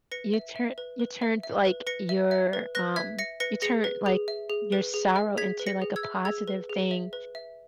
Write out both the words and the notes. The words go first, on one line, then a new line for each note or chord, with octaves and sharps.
You turn you turned, like, your, um you turn, like, your sorrow into, like, a positive thing,
B4 A#6 C#7
E5
E5
B4
B4
E5
E5
B4
B4 A#6 C#7
E5
E5
B4
B4 F#6 A#6
E5 G#6 B6
E5 A#6 C#7
B4 A#6 C#7
G#4 A#6 C#7
B4
G#4
E5
G#4
B4
G#4
E5
G#4 G#6 B6
B4
A#6 C#7
G#4
E6 G#6
E5
G#4 E6 G#6
B4
G#4
E5
B4
E5